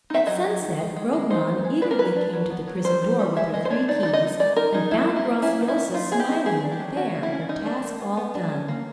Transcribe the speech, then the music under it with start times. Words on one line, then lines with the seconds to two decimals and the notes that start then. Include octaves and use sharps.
At sunset, Grognon eagerly came to the prison-door with her three keys, and found Graciosa smiling and fair, her task all done.
0.10 D#4 E5
0.26 F#3 D#5
0.45 F#3
0.62 D#3
0.79 G#3
0.96 G#3
1.13 G#3
1.30 D#4 C5
1.48 B3
1.64 G#3
1.82 D4 B4
1.91 A#4
1.99 F#3 B4
2.16 D4
2.33 F#3
2.50 B3
2.68 F#3
2.84 G3 C5
3.02 D#3
3.19 G3
3.36 G#3 E5
3.53 G#3 D#5
3.65 C5
3.70 D4 C#5
3.88 D#4 D5
4.03 D#4 D5
4.13 D#5
4.23 D#4
4.39 G#3 D5
4.56 D#4 A#4
4.74 D#4 G#4
4.91 F#3 E4
5.09 A#3
5.16 E4
5.25 A#3
5.42 C#4 E4
5.60 D#3
5.68 E4
5.77 C#4
5.94 D#4 F4
6.11 B3 G#4
6.20 G4
6.28 D#4
6.45 B3 G#4
6.63 D4
6.72 G4
6.80 F#3
6.97 C#4 F#4
7.15 A#3
7.23 E4
7.32 C#4
7.49 G3 D#4
7.66 D4
7.83 A#3
8.00 B3
8.17 B3
8.35 D4
8.52 C#4
8.68 A#3